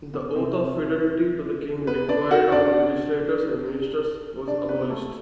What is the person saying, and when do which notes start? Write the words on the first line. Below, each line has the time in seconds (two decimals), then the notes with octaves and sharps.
The oath of fidelity to the king required of legislators and ministers was abolished.
0.14 B3
0.36 C3 C4
1.87 B3 B4
2.09 D4 D5
2.31 F#4 F#5
2.52 D4 D5
4.47 D4 D5
4.69 B3 B4
4.90 A3 A4